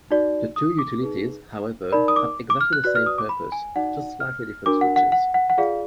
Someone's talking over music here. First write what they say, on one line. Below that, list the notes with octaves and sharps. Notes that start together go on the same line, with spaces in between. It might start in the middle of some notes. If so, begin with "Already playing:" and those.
The two utilities, however, have exactly the same purpose, just slightly different switches.
D#4 F#4 D5
D#6
D6
D#4 G#4 B4
D#4 A#4 D5 B5
D#6
D6
D6
F6
F#6
F#4 B4 D5 F#6
F6
D#6
D6
B5
G#5
D#4 F#4 D5 F#5
F6
D4 F#4 A#4 D6
F#5
F#5
F#5
F#5
F#5
F4 G#4 D5 F5